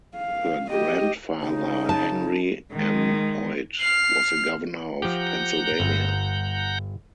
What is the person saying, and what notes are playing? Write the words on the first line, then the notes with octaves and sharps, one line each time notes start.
Her grandfather, Henry M. Hoyt, was a governor of Pennsylvania.
F5
G4 D#5
C#3 D#4
A5
D#3 G#3
F6 C7
F3 G4 F#5 A#5 G6
G1